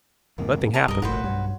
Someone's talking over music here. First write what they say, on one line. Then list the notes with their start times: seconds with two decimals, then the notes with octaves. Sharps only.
Nothing happened.
0.38 E2 G#2 C3 A#3
0.74 A5 A#5 C#6
0.88 B1 G2 A#4 D#5
1.02 F#1 A2 F3 A#3 F#4 B4 C5
1.24 G2 F#3